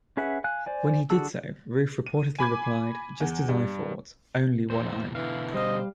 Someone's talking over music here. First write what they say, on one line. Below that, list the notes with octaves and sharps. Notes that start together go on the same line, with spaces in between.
When he did so, Ruth reportedly replied, Just as I thought; only one I.
C#4 G#4 B4 E5 F#5
F5 G#5 F#6
C5 D5 G#5
D3 F#4 G#4 A5 E6
D#7
G#5 B5 D6 G#6
E2
G2
E2 A#2 E3 C5
B2 D3 E3 F5
G3 C5 D#5 F5